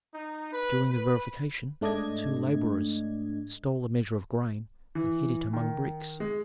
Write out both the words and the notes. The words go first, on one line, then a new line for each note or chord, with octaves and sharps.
During the verification two laborers stole a measure of grain and hid it among bricks.
D#4
B4
B4
G#2 A3 D4 D5 D#5 G#6
E3
D#3
G#3